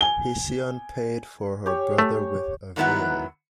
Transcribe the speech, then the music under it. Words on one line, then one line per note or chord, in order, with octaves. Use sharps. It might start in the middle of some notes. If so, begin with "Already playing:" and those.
Hesione paid for her brother with a veil.
G#5 G7
G4 C#5
A3
G#2 D#3 F#3 B3 E4 F#5